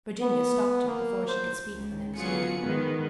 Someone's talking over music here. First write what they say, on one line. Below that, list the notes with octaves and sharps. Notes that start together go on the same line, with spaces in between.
Virginia stopped her before she could speak the next word.
B3
A#3
C5
C#2
D3 F#3 B3 F4 G#4 C#7
D#3 G#3 B3